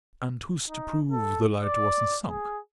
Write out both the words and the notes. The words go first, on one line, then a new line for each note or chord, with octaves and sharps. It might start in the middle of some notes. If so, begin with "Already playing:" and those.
And who's to prove the lighter wasn't sunk?
D#4
A4
D5
G#4